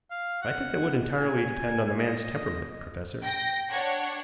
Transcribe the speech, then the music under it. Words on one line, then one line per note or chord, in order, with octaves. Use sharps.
"I think that would entirely depend on the man's temperament, professor."
F5
F#5
G#5
D#5
G5 A#6
D4 C#5 F#5